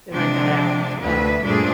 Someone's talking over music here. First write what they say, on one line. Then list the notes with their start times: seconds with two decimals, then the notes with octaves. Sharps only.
Then I got out, uh,
0.13 C3 F3 G#3 D4
1.03 D2 B4 E5
1.43 G2 A#2 A3 D4 G#4 C5